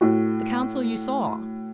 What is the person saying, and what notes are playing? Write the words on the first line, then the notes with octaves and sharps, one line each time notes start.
"The Council you saw."
A2 F#4